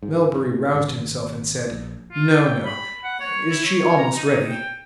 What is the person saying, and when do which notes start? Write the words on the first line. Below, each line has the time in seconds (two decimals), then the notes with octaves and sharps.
Melbury roused himself and said, "No, no. Is she almost ready?"
0.03 G#2
0.75 G#1
1.72 A#1
2.12 F4
2.43 G5
2.65 B5
3.04 F#5
3.20 C#5
3.50 E4
3.64 C#5
3.98 A#5
4.17 D#4
4.50 G5